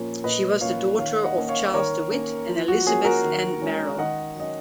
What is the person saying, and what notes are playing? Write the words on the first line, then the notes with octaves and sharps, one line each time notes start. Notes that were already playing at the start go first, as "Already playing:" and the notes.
She was the daughter of Charles De Witt and Elizabeth Ann Merrill.
Already playing: A#2 F3 A#3 C#4
A#2 B4 D#5
F3 A#3 C#4 C#5 F5
D#3 C#5 F5
D#5 F#5
A#3 C#4
C#5 F5
D#3 A#4 C#5
A#3 C#4
F3
F#4
A#3 C#4 G#4
F#4 A#4
D#3
G#3 C#4
D#3 D#5 F#5
F#3 C#4 D#5